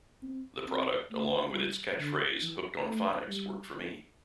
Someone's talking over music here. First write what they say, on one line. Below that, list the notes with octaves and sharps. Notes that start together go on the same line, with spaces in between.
The product, along with its catchphrase Hooked on Phonics worked for me!
C4
C4
A3
G3
D3
E3
A3
G3